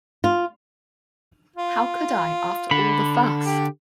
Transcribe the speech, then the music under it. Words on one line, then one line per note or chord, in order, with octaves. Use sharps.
How could I after all the fuss?
F4
F4
D3 B5
G4